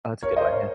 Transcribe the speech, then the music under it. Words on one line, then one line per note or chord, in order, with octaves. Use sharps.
Oh, that's a good one, yeah.
A#4 C#5
C5 D#5
A#4 C#5